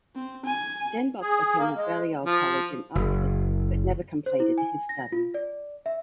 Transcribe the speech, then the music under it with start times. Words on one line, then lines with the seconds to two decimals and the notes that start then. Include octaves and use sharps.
Stenbock attended Balliol College in Oxford but never completed his studies.
0.16 C4
0.46 G#5
1.22 G#4
1.58 A#3
1.77 G#3
2.25 F3
2.95 F#1
4.26 C5
4.40 E4
4.58 G#5
4.89 A#6
5.12 F4
5.34 D5
5.86 E5